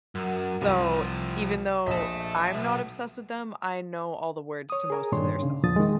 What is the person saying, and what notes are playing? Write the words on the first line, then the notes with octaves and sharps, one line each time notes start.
so, even though I'm not obsessed with them, I know all the words to most of their songs.
F#2
C2 C3 F3
A#1 D#5 E5 A5 B6
B1
C#5 D#6
G#4 A#4 G#5
G2 A#2 D#3 D4 C#5 C6
C#3
E2 A#2 D3 F3 D#6 A6
D#3 G#3